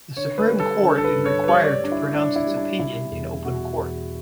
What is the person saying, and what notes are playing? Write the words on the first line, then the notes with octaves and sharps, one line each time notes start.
The Supreme Court is required to pronounce its opinion in open court.
D3 C#5
B4
G3
A4
D3
A4
B4
G2
C#5
B4
G3 C#5
D5
C#5
G3 D4
E4
G3 D4
E4
G3
D4
B2 E4
E2
B2 F#4
E2